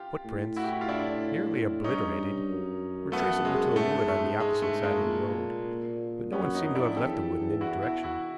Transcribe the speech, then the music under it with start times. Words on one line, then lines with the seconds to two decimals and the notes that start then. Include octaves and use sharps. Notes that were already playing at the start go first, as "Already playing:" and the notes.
Footprints, nearly obliterated, were traceable to a wood on the opposite side of the road, but no one seemed to have left the wood in any direction.
Already playing: F4 G4
0.25 A2
0.56 E4 F#4
0.64 G4
0.72 F#4
0.81 F4
0.89 D4 E4
1.84 G2 C#4 D#4
2.49 F#2
3.12 A3 B3
3.45 G#3
3.76 G#2 A3
4.08 A3
4.40 G#3
4.62 A3
4.83 G#3 A#3
5.05 A#2
6.32 F#2 B3 C#4
6.54 C#4 D#4
6.65 F2
6.75 D4 E4
6.96 E2 G4 A4
7.61 E4 F#4
7.81 E4 F#4
8.03 E4 F#4